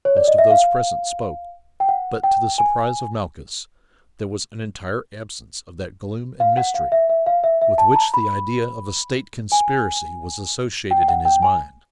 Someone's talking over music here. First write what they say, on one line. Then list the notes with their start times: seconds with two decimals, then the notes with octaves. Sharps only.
Most of those present spoke, but, to the surprise of Malchus, there was an entire absence of that gloom and mystery with which the idea of a state conspiracy was associated in his mind.
0.05 C#5
0.17 D5
0.28 D#5
0.38 E5
0.50 F5
1.80 G5
1.89 F#5
2.24 G5
2.58 G#5
6.40 F5
6.57 F#5
6.74 F5
6.92 E5
7.09 E5
7.26 F5
7.44 E5
7.61 E5
7.78 A5
7.92 A5
7.96 A#5
8.14 B5
9.52 G#5
10.91 G5
11.02 G5
11.08 F#5
11.25 G5
11.42 G#5